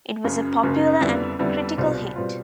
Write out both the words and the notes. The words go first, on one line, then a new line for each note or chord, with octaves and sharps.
It was a popular and critical hit.
F#1 F#2 C#3
F#1 F#2 C#3
F2 D3 G3 B3 E4
F2 D3 G3 B3 E4
C2 B2 G3 C4 F4
B2 G3 C4 F4